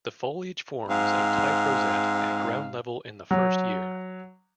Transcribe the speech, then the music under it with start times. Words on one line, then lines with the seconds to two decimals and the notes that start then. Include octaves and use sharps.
The foliage forms a tight rosette at ground level in the first year.
0.88 G#2 C4 F5
3.31 F#3